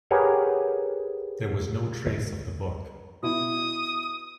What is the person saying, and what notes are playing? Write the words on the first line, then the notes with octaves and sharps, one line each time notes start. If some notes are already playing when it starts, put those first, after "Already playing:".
There was no trace of the book.
G4 G#4 A#4 B4 C#5 F#5
B2 E4 D#6